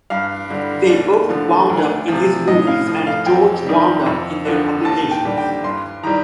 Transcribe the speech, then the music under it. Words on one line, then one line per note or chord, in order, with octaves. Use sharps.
They both wound up in his movies and George wound up in their publications.
G2 F5
D3 G3
D#2 D5
D3 F3 A3
D2
C3 F3
A2 D#5
F5
F3 A3
F5
F2 G5
D#3 G3
F2
D3 F3
D#2 A5
G5
D3 G3
G5
G2 C6
D#3 G3 A#5